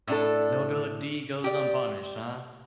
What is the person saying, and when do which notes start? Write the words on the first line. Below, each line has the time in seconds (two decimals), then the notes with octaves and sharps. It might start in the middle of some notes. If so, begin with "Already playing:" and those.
No go deed goes unpunished, huh?
0.07 A2 D4 A4
1.44 G4 D5